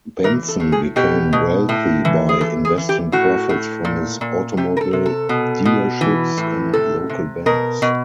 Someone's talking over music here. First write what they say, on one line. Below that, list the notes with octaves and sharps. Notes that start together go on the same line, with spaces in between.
Benson became wealthy by investing profits from his automobile dealerships in local banks.
E3 A#4
A4
A2
G#4
B2 G4
B2
A2
E3
G#4
E3 A4
G#4
E3
G4
A2 F#4
A2
A#2
A#2
C3 G4
A#4
A4
C3
A4
B2
B2
E3
A2
C3 A4
C3
B2 A#4
B2